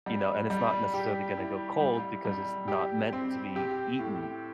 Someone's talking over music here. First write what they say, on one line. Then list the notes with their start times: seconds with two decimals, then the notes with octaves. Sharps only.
you know, and it's not necessarily gonna go cold because it's not meant to be eaten.
0.06 G3
0.50 G3
0.94 G4
1.37 E4
1.81 G3
2.25 G3
2.68 G4
3.13 C4
3.56 G4
3.99 A2